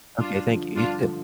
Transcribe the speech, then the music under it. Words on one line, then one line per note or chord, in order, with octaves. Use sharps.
Okay, thank you, you too.
G2 D4 F4
D3 F3
G2 D4 F4
D3 F3